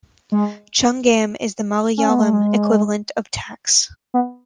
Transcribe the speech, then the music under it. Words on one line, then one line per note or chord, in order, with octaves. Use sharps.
"Chungam" is the Malayalam equivalent of "tax".
G#3
C#4
B3
A3
G#3
B3